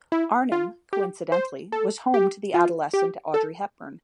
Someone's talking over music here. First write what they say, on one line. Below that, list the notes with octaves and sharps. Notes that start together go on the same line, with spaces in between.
Arnhem, coincidentally, was home to the adolescent Audrey Hepburn.
E4
F4
G4
C5
A4
G4
F4
G4
A4